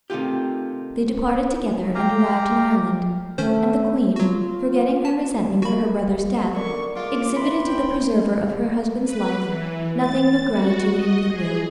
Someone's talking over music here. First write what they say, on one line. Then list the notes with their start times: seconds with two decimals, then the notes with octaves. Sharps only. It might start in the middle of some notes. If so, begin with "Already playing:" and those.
They departed together, and arrived in Ireland; and the queen, forgetting her resentment for her brother's death, exhibited to the preserver of her husband's life nothing but gratitude and good-will.
0.10 C3 D#3 A3 F4 G4
1.95 G4 F5 G5 A#5
3.38 D#3 A3 C#4 C5
4.16 F#3 F4 F#4
5.05 A5
5.62 A#3 F#4 B5
6.55 F#2 D3 A#4 D5 C#6
6.96 D2 G#3 F4 A#4 D6
7.36 E3 B5 C6 B6
7.66 G5
9.03 B4
9.41 E3
9.97 A6
10.50 F#4
10.91 D#5
11.28 G#4